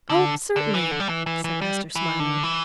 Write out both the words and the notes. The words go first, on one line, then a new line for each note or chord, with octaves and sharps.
"Oh, certainly," said Esther, smiling.
D3
D3
E3
D3
G3
E3
E3
E3
G3
E3
D3
E3